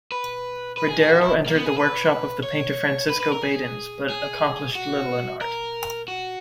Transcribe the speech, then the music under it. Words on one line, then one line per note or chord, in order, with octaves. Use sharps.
Bredero entered the workshop of the painter Francisco Badens, but accomplished little in art.
B4
B4
G#4
G#4
F#4
E4
A#3
B3
G#4
B4
C#5
B4
B4
A#4
G#4
G#4
F#4
A#4
F#4